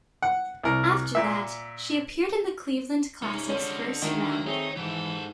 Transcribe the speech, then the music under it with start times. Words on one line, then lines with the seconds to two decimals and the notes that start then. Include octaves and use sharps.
After that she appeared in the Cleveland Classic's first round.
0.22 F#5
0.63 C2 A#4
1.15 A#2 E5
3.22 A3 C#4 D#4
3.49 D3 G3 G#3 C#4 F4 D#5
4.02 D#3 A3 A#3 D4
4.46 A3 C4 D#4 G#4 C#5
4.77 G#2 E3 G4 A4